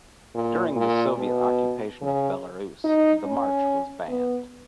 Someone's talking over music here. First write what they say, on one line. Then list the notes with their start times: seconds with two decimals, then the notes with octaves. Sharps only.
During the Soviet occupation of Belarus, the March was banned.
0.35 A#2
0.76 A#2
1.18 B2
2.01 C#3
2.84 D#4
3.25 C#4
4.08 B3